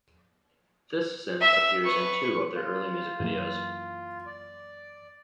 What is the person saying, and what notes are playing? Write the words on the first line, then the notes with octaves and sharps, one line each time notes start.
This synth appears in two of their early music videos.
E5
B4 C#6
F4
F#2 E3 A#3
D5